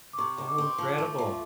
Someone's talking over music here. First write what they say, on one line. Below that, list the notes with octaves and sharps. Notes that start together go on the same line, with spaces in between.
Oh, incredible.
D6
C3 C#6
D#3
D6
C4
F3
A3
F3